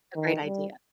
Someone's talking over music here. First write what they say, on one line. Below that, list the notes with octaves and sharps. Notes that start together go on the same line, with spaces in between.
a great idea.
D#3
G3